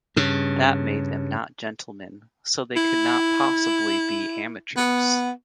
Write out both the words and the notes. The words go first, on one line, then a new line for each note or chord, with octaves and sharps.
That made them not gentlemen so they could not possibly be amateurs.
G2 C#3
E4
B3